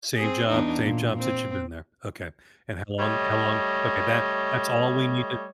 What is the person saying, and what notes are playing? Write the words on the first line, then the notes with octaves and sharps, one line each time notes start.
Same job same job since you've been there. Okay. And how long how long, okay. That that's all we need t
C4 G#4
E2 D4 D#4
A#2
C4
G3 A3 C#5 D#5